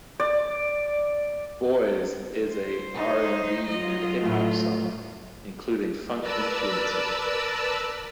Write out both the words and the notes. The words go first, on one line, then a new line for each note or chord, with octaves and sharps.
"Boys" is a R and B and hip hop song, including funk influences.
D5
C5
D#4
F#3 F4 D#5
A2 A3
A#4 B4 D5 A5 B5 E6